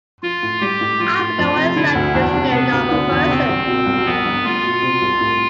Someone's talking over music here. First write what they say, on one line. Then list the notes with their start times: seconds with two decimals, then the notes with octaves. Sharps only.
I forgot what it's like just to be a normal person.
0.22 F3 F4
0.43 A2
0.61 G3 G4
0.81 A2
0.99 F3 F4
1.19 A2
1.38 F2
1.56 F1
1.76 D3 E4
1.95 D2
2.14 E2 D4
2.33 F1
2.52 C3 B3
2.71 D2
2.91 D3
3.11 E2
3.29 C3 C4
3.49 C2
3.67 B2
3.87 C2
4.05 F2 B3
4.25 G1
4.44 A3 F4
4.63 B2
4.82 C3
5.02 C2
5.21 A2